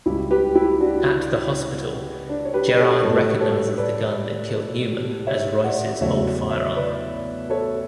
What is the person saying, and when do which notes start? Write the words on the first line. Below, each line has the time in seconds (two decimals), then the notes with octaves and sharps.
At the hospital, Gerard recognizes the gun that killed Newman as Royce's old firearm.
0.06 C#2 C#3 G3 E4 G4
0.31 G4 B4
0.55 E4 G4
0.80 D4 F#4
2.29 D4
2.45 C#5
2.53 G4 B4
2.68 B4
2.79 A4 C#5
3.03 A2 G3 A4 C#5
3.40 A4 C#5
3.77 B4 D5
5.27 C#5 E5
5.64 D5 F#5
6.01 E2 C#3 F#3 A3 C#5 E5
6.51 C#5 E5
6.75 B4 D5
7.50 A4 C#5